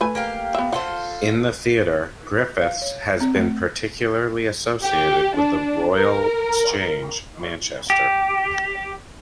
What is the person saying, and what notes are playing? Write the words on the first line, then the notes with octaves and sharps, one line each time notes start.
In the theatre, Griffiths has been particularly associated with the Royal Exchange, Manchester.
A3 B4 G#5
A#3 G4 F5
B3 E5
F4 A4 C5 F5 F#5
F5
C#5
C4
A3
G4
D4
A#4
G4